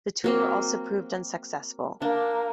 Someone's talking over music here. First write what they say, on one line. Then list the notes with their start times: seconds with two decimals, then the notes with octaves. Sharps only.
The tour also proved unsuccessful.
0.24 F#3 A#3 C4
2.02 A#3 D4